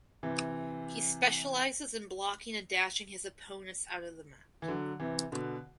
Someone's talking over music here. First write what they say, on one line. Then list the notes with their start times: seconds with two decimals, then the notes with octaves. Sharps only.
He specializes in blocking and dashing his opponents out of the mat.
0.23 C3 E3
4.62 E3
4.68 D3 F#3
5.00 C3 E3
5.32 B2 D3